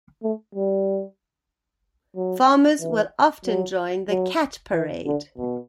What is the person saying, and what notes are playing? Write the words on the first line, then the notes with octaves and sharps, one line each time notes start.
Farmers will often join the "Cat Parade".
A3
G3
F#3
E3
F#3
F#3
E3
D3
B2